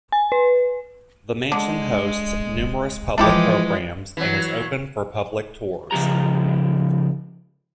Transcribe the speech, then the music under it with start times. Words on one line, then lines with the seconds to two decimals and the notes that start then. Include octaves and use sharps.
The mansion hosts numerous public programs, and is open for public tours.
0.12 G#5
0.32 B4
1.52 D3 G#3
3.18 E3 F3 G#3 A3 E4 G4
4.17 E3 F#3
5.91 C#3 F3 G4 A#5